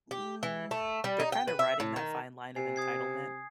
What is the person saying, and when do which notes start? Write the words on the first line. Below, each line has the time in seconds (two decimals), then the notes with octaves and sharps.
mm, they're kinda riding that fine line of entitlement,
0.11 G4
0.43 E3
0.71 A3
1.04 G3
1.20 D#4
1.32 G5
1.47 B4
1.59 E5
1.80 A2
1.96 D#3
2.56 C3 G#5 C7
2.76 D#6 G#6 C7